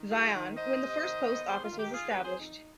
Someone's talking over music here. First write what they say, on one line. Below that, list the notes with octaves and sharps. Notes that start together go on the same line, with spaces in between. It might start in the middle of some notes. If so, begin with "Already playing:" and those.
Zion when the first post office was established.
Already playing: D#3
G3 F4 G#4
D#3
D#3 C5 D#5
C3
D#3
B3
D#3 G#4 C5
F4
D#3
G4
D#3 F4 G#4
G4 B4
F2
G#4 C5
D#4